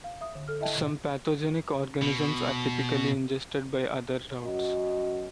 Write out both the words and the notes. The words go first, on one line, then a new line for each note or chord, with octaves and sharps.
Some pathogenic organisms are typically ingested by other routes.
F5
E5 D#6
D3
A4 F6
E4 D#5 E5 G5 A5
A2 C3 D#3
B2
F#2 F#4 D#5